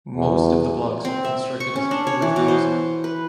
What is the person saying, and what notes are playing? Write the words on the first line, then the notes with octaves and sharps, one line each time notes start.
Most of the blocks are constructed as public housing.
E2
C4
E5
C#6
C#4
D4
C#5
E3
B2
C5
B4